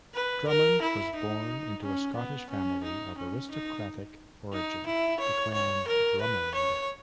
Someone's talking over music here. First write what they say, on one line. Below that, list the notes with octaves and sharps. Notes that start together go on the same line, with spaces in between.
Drummond was born into a Scottish family of aristocratic origin, the Clan Drummond.
B4
A#4
E4
D#4
C#4
B3
C#4
D#4
C#4
D#4
D#4
E4
C#5
C#5
A#4
B4
C#5